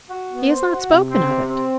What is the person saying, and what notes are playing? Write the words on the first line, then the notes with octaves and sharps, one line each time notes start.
"He has not spoken of it."
F#4
B3
C5
F#4
C3
C4
C3
C4